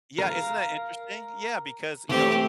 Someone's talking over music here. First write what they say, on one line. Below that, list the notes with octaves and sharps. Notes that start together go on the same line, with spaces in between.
Yeah, isn't that interesting? Yeah, because, you know,
A#4 F5
E3 A3 C4 G4